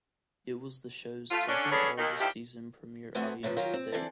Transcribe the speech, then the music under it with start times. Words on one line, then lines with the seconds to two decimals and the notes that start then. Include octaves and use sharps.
It was the show's second largest season premiere audience to date.
1.31 A3 F4
1.48 D3 C#4 D4
1.71 B3 C#4 D4 G#4 A4 C#5
1.98 D#2 D#3
2.20 D#3 F3 G3 A3 E4 G4
3.15 A3 B3 C4 F#4 G#4
3.43 A2 C3 E3 F3
3.57 D#3 F#3 F4 G4 A#4
3.73 C4
3.92 E3 C4 D4 G#4 A4